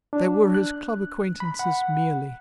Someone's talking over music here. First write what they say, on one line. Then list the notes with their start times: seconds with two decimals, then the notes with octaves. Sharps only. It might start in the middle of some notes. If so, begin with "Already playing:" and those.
They were his club acquaintances merely.
0.13 D4
0.54 F#6
1.40 B5
1.59 F#5